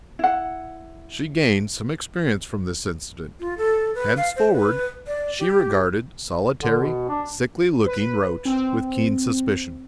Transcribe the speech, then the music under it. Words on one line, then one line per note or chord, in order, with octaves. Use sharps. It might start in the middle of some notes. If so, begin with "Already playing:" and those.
She gained some experience from this incident; henceforward, she regarded solitary, sickly-looking roach with keen suspicion.
E4 F#5
F4
A4
B4
F5
C5
B4
D5
G4
D3
B2
D4
B4
C4